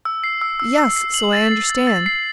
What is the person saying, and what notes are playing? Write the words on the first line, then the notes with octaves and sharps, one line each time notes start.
"Yes, so I understand."
E6
C7
E6
E6
E6
C7
F#7
A6
C7
A6
A6
C7